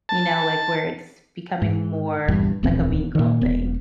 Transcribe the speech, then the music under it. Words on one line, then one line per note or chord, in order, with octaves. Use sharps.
you know? Like, where it's becoming more like a mean girl thing.
A5
G#2
A#1 E2 G2
D1 A#1 E2 C4
A#2 D#3
E1 B3